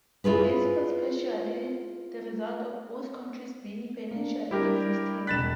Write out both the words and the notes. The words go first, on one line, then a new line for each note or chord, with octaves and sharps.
This was partially the result of both countries being financially exhausted.
E4 F4 G#4 B4
A#3 D4
G3 D4 E4 G4 A#4
E1 B5 F#6 A6 B6 E7